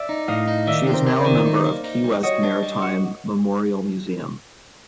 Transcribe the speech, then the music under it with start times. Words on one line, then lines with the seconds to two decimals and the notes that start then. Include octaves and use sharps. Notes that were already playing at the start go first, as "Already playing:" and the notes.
She is now a member of Key West Maritime Memorial Museum.
Already playing: D5 E5
0.09 D#4
0.28 A2 D#5 F5
0.48 D#4
0.67 D#3 D5 E5
0.87 C4
0.93 A#4 C5
1.07 C4
1.19 C5 D5
1.26 D#3
1.45 D#4
1.65 A#3
1.84 D#4
2.04 G3
2.23 F#4 C#5 D#5
2.43 D4
2.63 G3
2.82 F#4